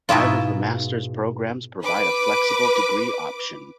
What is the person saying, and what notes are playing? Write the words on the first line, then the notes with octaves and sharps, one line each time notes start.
Five of the masters programs provide a flexible degree option.
G#2 B2 E4 F4
B4 D6